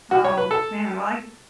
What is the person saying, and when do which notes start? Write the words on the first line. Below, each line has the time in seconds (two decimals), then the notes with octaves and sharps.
Oh man, well, I g
0.11 F#4
0.24 C#5
0.37 B4
0.51 A4